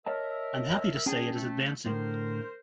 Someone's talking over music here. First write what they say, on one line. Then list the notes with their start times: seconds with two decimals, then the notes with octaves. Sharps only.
I am happy to say it is advancing.
0.06 A#4 C#5 D#5 E5 A5
1.06 C#4 G#4 G5 A5
1.34 A3
1.86 A2 D3 A#4 C5